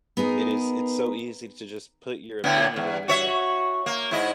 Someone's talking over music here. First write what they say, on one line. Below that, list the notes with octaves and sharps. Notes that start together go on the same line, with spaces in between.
it is it's so easy to just put your opinion on there,
B3 D#4 G#4 A#4
A2 D3 B3
E2
F#4 C#5 E5
A#3
G#2 E4 D#5